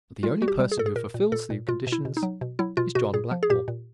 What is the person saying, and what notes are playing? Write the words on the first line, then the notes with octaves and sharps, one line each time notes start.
But the only person who fulfills the conditions is John Blackmore.
G3 F4
G3 F#4
G4
G3
G#4
A#2 A4
G#4
A#2 A#4
A#2
A#2 A4
A#2
B2 F4
B2
E4
B2
D#4
F#3
B2
F#3 E4
B2 F4
B2 F#4
A#2 G#4
F3
G#4
A#2 G4
A#2